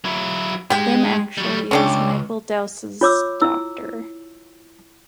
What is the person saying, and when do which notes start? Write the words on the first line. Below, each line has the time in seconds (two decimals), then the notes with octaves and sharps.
Lim actually is Michael Dowse's doctor.
0.05 F#3 E4
0.70 G#2 G#3 G4 G5
1.38 F#3 G3
1.71 C#2 C#4 D4 G4
3.01 F4 C#5 D6 E6
3.42 E4 E6